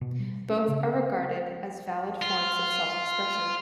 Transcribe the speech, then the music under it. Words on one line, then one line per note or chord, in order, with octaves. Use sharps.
Both are regarded as valid forms of self-expression.
B2
G3
C#4
C#3
F4